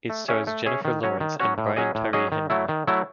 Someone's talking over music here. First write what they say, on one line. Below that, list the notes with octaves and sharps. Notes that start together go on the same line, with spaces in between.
It stars Jennifer Lawrence and Brian Tyree Henry.
A3
C#4 G#4 C#5 E5
A3
C#4 G#4 C#5 E5
D#3
F#3 C#4 F#4 C#5
D#3
F#3 C#4 F#4 C#5
A2
F#3 C#4 G#4 D#5
A2
F#3 C#4 G#4 D#5
D#3
F#3 A3 E4
D#3
F#3 A3 E4